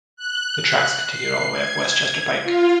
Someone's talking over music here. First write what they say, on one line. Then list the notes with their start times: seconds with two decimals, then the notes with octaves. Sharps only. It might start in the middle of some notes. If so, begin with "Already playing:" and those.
The tracks continued all the way up West Chester Pike.
0.16 F#6
1.08 C7
1.51 G#6
2.43 F4